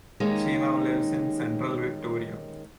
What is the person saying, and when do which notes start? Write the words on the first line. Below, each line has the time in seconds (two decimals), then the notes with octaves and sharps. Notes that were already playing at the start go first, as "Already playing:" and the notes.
She now lives in Central Victoria.
0.20 D#3 G#3 A#3 C#4 D#4 G4